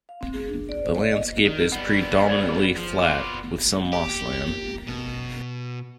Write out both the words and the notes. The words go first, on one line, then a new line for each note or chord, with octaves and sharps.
The landscape is predominantly flat, with some mossland.
F5
C4
G#4
D4
D5
C5
D5
D#5
D#3
G3 B3 F#5
B4 C5 D5
G#4
F3
B3 F4 D6
G4
B2